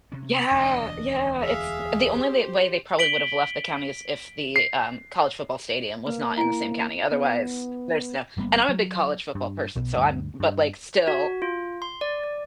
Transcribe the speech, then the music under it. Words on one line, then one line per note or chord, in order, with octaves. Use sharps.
Yeah, yeah, it's the only they way they probably would’ve have left the county is if the, um, college football stadium was not in the same county, otherwise, there's no and I'm a big college football person, so I'm but, like, still
C3 C#4
E1 D2 D4 D#5
G#4 E5 F5
G4 C5
B6 D7 F#7 G7
C7
A#3 B4
E4 G#5
B3
G1 G3 A#3 B3
F#3
G2
B1 B2
D2 G2
G2
F#4
F4
C6
D5
D5